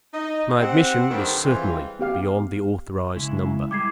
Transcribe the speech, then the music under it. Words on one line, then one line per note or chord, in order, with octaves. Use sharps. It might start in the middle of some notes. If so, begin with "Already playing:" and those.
My admission was certainly beyond the authorised number.
D#4 D#5
C4 G4 C5 F#5
G2 D3 D#3 G3 C4
E3 G3 G#3 C4 F4
B3 G4 F5
C#3 G#3 E4
G3 E4 G#4 D6 G#6 C7